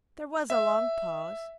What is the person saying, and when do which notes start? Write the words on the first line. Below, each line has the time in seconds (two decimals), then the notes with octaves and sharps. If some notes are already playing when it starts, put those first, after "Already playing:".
There was a long pause.
0.50 E5